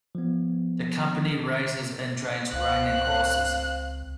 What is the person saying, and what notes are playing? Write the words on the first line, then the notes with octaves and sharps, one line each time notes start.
The company raises and trains reining horses.
F3 B3
C#2 C4 F5 F#6